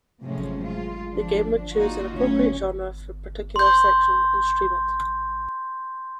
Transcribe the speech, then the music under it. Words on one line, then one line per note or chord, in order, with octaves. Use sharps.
The game would choose an appropriate genre for a particular section, and stream it.
A2 C3 F3 F#3 G#3 C#4
G#3 F4
F3 D4
A#3 D#4 F4 F#4
D2 F#3 C#4 C#5
C6 G6